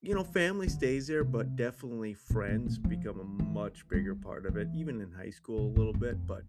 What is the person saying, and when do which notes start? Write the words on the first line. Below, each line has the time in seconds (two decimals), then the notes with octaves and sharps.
you know, family stays there, but definitely friends become a much bigger part of it, even in high school a little bit. But
0.12 F3
0.67 D3
1.21 C3
2.30 A#2
2.48 A2
2.66 A#2
2.84 F3
3.39 E3
3.94 G3
4.49 E3
5.58 C3
5.76 A2
5.94 G2
6.12 F2